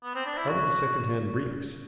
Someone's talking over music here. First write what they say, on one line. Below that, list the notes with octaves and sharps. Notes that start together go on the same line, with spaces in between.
How are the secondhand breeks?
B3
C4
D4
E4
F#4